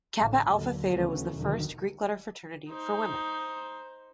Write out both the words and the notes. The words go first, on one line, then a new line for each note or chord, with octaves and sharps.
Kappa Alpha Theta was the first Greek-letter fraternity for women.
A1 A2 D3
D#2 D3 F#3
D2 C#3 E3 A3 B3 C#4
D#2 B2 D3 D#3 F3 F#3
D#4 C5